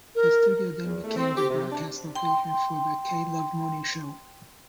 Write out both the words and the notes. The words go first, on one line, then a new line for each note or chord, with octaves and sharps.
The studio then became the broadcast location for the "K-Love Morning Show".
A#4
E2
A3
C4
G4
C3
D4
G5 C6